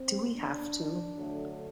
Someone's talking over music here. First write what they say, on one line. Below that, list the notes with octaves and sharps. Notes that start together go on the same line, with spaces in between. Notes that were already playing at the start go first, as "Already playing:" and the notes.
Do we have to?
Already playing: C4
D4
D3 F#3 A3